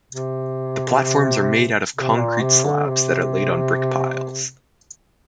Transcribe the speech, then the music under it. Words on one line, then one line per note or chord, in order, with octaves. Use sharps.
The platforms are made out of concrete slabs that are laid on brick piles.
C3
C3
A#2
C3
D3
C3